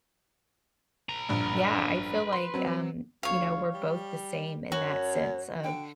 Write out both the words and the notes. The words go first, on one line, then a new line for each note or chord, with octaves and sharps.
Yeah I feel like um, you know, we're both the same in that sense of,
B4 A#5
A#1 G2
C6
F#3 C4
D2 C#5 F5
G3
F#2 F#4 C#5
D3 G5